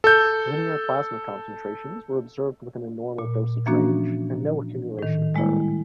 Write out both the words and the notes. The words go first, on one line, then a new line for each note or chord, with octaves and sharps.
Linear plasma concentrations were observed within a normal dosage range and no accumulation occurred.
A4 G6
A#2
E3 F3 A#3 C#4 D4 F#4
A2 D#3
G3 G#3 A#3 E4